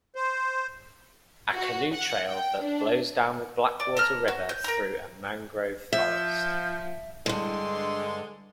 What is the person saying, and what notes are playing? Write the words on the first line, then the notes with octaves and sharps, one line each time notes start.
A canoe trail that flows down the Blackwater River through a mangrove forest.
C5
F#4
F#5
G5
D4
D5
A4 A#5 F6
F#4
G6
A#4 A#5
F3 E5 G6
E2 G2 D3 G#3 C6